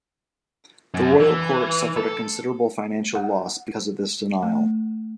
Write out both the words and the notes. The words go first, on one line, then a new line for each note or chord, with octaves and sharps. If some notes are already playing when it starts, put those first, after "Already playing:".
The Royal Court suffered a considerable financial loss because of this denial.
F#2
E3
A4
F#5
A3